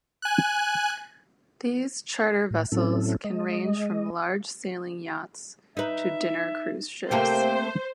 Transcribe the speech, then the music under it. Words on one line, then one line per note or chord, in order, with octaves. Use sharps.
These charter vessels can range from large sailing yachts to dinner cruise ships.
G#5 F#6
A2
A2 F#3 C4 C#4 E4 A4
G#3 D#5
D#4 B4 E5
C3 A3 A#3 C5 G5